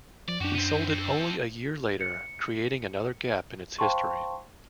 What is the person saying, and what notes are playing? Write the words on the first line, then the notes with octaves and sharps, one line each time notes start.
He sold it only a year later, creating another gap in its history.
F3 D5
F#2 D4 F#4 G4
B3 C4
C4 A4
C#7
C5 F5 G5 A5 C6 C#6